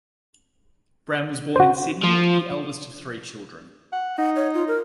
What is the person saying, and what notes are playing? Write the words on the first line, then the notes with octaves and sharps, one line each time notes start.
Brown was born in Sydney the eldest of three children.
F#4 C5
F3
F#5
D#4 F#5
C#5
F4
A#4